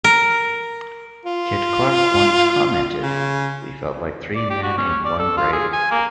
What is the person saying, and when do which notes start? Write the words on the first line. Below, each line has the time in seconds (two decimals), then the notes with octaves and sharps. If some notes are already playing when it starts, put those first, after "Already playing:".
Kit Clark once commented We felt like three men in one grave.
0.04 A#4
1.25 F4
3.02 C#3
4.36 D5
4.50 G4
4.63 F#4
4.78 C#4
5.05 D5
5.19 A4
5.37 F4
5.53 G#4
5.73 G#5
5.91 A#3